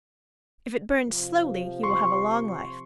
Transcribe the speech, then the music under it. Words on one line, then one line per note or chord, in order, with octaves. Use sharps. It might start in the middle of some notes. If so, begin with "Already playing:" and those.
If it burns slowly you will have a long life.
C3 F3
C6 C#6